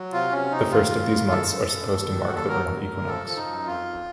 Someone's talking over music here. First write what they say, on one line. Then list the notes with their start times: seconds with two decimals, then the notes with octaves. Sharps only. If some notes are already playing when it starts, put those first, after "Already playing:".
The first of these months are supposed to mark the vernal equinox.
Already playing: F#3
0.12 C3 F4
0.32 C3 C#4
0.52 C3 D#4
0.71 D#2 F4
0.90 C#3
1.11 D#2
1.30 C#3 A4
1.50 F#2
1.69 F#2
1.89 D#2
2.09 D#3
2.21 F#4
2.28 D#2
2.35 A4
2.48 F#3 A#4
2.68 F#2
2.87 F#2
3.06 F3 A4
3.27 F3
3.36 D#4
3.46 F#2
3.66 F2 F4
3.86 F2